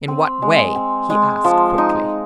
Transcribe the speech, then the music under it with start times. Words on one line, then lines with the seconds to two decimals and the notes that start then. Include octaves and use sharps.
"In what way?" he asked quickly.
0.08 C4
0.42 G#3
0.75 C4
1.10 G#3
1.44 F3
1.78 D#4